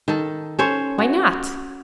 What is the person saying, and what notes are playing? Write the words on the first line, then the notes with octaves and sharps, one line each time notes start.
"Why not?"
D#3 A4
C#4 A4 C5 C#5
F#4